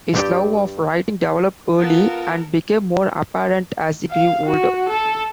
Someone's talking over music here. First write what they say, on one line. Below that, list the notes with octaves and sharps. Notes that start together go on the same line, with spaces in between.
His love of writing developed early and became more apparent as he grew older.
G2 G4 D5 G5
B3 F4 A4 A#4
F5
F#4
A4